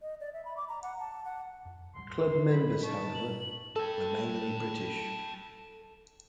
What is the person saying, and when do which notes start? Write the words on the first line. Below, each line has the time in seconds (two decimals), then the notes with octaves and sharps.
Club members however, were mainly British.
0.02 D#5
0.20 D5
0.33 E5
0.45 B5
0.57 D6
0.69 A#5
0.82 F#5
0.99 A5
1.25 F#5
1.65 F2
1.95 E1 A1 G3 C6
2.51 F#3 D#4 B5
2.83 A5 C#6
3.14 G#2 B2 F#7
3.76 A4 G5 A5